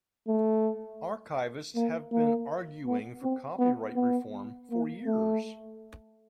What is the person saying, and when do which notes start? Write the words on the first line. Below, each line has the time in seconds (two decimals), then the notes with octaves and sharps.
Archivists have been arguing for copyright reform for years.
0.28 A3
1.75 A#3
2.11 A#3
2.86 B3
3.23 C4
3.59 B3
3.96 B3
4.71 A#3
5.06 A3